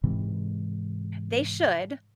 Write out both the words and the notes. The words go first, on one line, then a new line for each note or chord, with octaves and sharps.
They should,
G#2 C3 E3 G#3